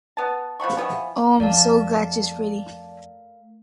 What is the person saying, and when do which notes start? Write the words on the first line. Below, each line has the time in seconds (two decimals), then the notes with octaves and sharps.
Oh, I’m so glad she’s pretty.
0.17 B3 A5
0.60 F3 F#5 B5 C#6
0.77 E3 F3 B3 D4
1.40 F2 A3 A#4 D5 F5 A5